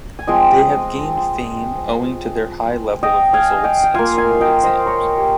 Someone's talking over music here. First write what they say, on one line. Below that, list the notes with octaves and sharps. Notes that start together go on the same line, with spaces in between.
They have gained fame owing to their high level of results in school exams.
G#5
F3 G#3 C4 D#5 G5
D#5 G5
F5 G#5
D#5 G5
G5
A#3 F4 F5 G#5
F5 G#5
D#5 G5
C5 D#5
A#4 C#5
G4